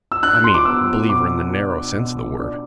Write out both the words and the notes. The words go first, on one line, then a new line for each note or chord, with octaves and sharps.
I mean, a believer in the narrow sense of the word.
E6
D4 F#6
C6
D6
B3 E6
B2 D6
D4
B2
D4